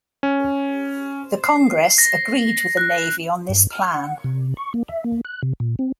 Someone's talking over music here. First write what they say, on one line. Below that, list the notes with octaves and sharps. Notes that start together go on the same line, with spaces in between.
The Congress agreed with the Navy on this plan.
C#4
C7
A#6
F#6
G2
F6
F#5
C3
C#6
A#3
E5
A#3
F#6
C3
A#2
C4